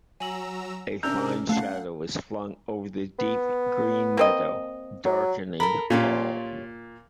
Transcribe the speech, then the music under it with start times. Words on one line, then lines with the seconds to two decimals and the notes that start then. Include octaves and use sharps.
A fine shadow was flung over the deep green meadow, darkening all.
0.20 F#3 G#5 A#5 E6 F#7
1.03 C3 C#4 D4 A#4 A#5 E6 G6 F7
1.49 A3 F5 F#5 A5 C7
3.19 B3
4.17 A#3 C4 D#5
5.05 F#3
5.60 A4 A#4 B5
5.90 A#2 C#4 F4 G4